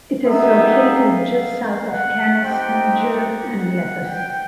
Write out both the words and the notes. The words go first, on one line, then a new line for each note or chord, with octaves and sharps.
It is located just south of Canis Major and Lepus.
B3 D#4 G4 E5
F5
F#5
C4 D#4 G4 G5
F#5
G5